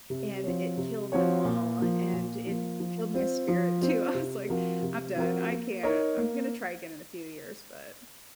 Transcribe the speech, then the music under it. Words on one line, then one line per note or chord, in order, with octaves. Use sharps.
and it killed them all and it killed my spirit too. I was like, "I'm done, I can't, I'm gonna try again in a few years," but
C3
F3 C4 F#4 C#5
C3
F3 C4 F#4 C#5
A#2
F3 A#3
A#2
F3 A#3
F3
C4 F4 C5
F3
C4 F4 C5
C3
F3 C4 F#4 A#4
C3
F3 C4 F#4 A#4
A#3
D#4 A#4 C#5
A#3